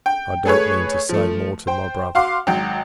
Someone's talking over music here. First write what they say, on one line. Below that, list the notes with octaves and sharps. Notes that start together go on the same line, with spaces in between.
I don't mean to say more to my Brother.
G5
A3 G#4 B4 C#5
F3 A3
C5 G5
F#4 F5 C6 D6
G#1 F#3 G5